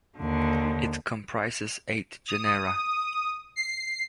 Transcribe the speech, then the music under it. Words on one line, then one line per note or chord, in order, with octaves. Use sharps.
It comprises eight genera.
D#2 D3
D#6
C7